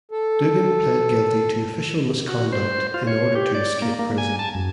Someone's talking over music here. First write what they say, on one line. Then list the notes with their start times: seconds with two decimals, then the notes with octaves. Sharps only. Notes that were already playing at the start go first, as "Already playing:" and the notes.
Dugan pled guilty to official misconduct in order to escape prison.
0.11 A4
2.29 F#4
2.53 C5
2.94 F4
3.07 C#5
3.35 G4
3.55 D5
3.82 A#3
3.99 A#3
4.18 G#5
4.39 A5
4.55 F#2